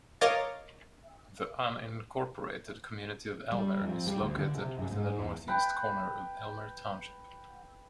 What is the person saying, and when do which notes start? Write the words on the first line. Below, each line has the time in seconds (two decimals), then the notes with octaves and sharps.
The unincorporated community of Elmer is located within the northeast corner of Elmer Township.
0.21 A#4 C#5 D#5 F5 D6 A6
3.52 G3
3.81 F2
4.07 G3
4.21 D2
4.38 D3
4.57 C3
4.78 F#2
4.91 G#2
5.18 E2
5.48 B4 G5 A5